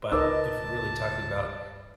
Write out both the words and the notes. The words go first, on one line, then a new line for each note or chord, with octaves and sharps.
but if you're really talking about
C#2 D#4 A#4 B4 D#5 A5 D6 E6